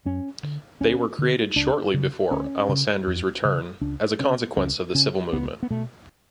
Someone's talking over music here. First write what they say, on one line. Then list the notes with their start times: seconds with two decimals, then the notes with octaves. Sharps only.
They were created shortly before Alessandri's return, as a consequence of the civil movement.
0.05 F#2 C#4
0.43 D3
0.80 D2 C#4
1.19 D3
1.56 C#2 D4
1.94 C#3
2.31 D2 C#4
2.69 C#3
3.07 F2
3.45 C#3
3.81 C#2 D4
4.19 C#3 C#4
4.57 C#2 C#4
4.95 C#3 C#4
5.32 C#2 B3
5.63 B3
5.70 B2 A3